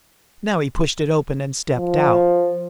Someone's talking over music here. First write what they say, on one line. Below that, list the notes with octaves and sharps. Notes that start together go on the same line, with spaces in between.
Now he pushed it open and stepped out.
F3